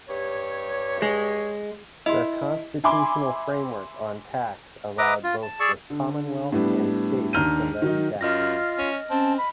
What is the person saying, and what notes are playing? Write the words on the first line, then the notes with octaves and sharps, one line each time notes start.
The constitutional framework on tax allowed both the Commonwealth and States to levy taxes.
G2 G4 C#5
G#3
E4 D#5 C6
E5 G#5 B5 C6 D6
B4 D#5 E5 A#5 D6 D#6
F4
A5
G#4 D5 C#6 E6
D3
A2 G3 B3 D4
D#2 D4 A#5 F6 G6 D#7
D#3 F#3 D#4
F#2 F4 D#5 F6 A#6
C#4
C4 C#4 A5
B5